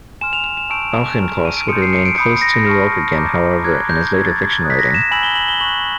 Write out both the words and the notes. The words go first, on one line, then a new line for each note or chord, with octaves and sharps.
Auchincloss would remain close to New York again, however, in his later fiction writing.
G#5 C6 F6 E7
F7
F7
E7
A5 C#6 E6 G6 D7
A#5 C#6 F6
D#7
D7
C6 D#6 G6 C#7
C7
C#7
D7
B5 D#6 G6 C#7
A#6
A5 C#6 F6
A#5 D6 G6
A#5 D6 F#6 G#6
G6
C#6 E6 G6 G#6
A6
G#6
G#6
A#5 D#6 F#6
B6
A#6
E7
G#5 B5 E6 G6 F#7
G7
F#7
G7
C#6 F#6 F#7